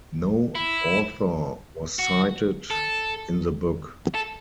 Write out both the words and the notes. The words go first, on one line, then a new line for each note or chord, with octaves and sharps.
No author was cited in the book.
E4
F#4
A4
A4